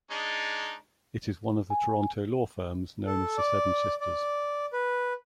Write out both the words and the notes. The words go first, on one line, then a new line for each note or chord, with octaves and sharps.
It is one of the Toronto law firms known as the Seven Sisters.
G#3 D4 D#4
G#5
A4
D5
D5
B4